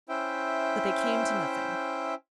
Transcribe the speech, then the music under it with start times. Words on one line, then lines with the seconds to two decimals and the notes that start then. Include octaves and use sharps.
But they came to nothing.
0.09 C#4 E4 C5 E5 G5